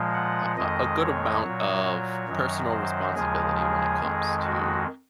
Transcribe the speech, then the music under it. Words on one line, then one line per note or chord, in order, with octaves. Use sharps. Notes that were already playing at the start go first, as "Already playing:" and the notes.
uh, a a a good amount of personal responsibility when it comes to,
Already playing: A#2 F3 G#3
F#5
F2 D#3 G#3 D#5
C#5
A#2 F#3
F#2 D#3 F#3
C5
D#2 C#3 F3 G#3 G#4
G#4
F2 D#3 G#3
F#4